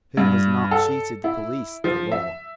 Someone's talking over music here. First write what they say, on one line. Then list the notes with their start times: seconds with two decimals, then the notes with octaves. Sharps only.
Who has not cheated the police, the law?
0.17 G2
0.71 A4
1.24 E4
1.84 F3
2.12 E5